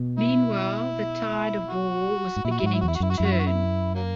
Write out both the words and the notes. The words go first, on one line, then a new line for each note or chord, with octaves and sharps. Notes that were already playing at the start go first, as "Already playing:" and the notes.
Meanwhile, the tide of war was beginning to turn.
Already playing: B2
E4
F#4
G#2
A#2 E4
F#4
E4
G#2 F#4
E4
E2 F#4
E4
F#4
F#2 E4
F#4
F#2 E4
F#4
E4
F#4
E4
F#3 A#3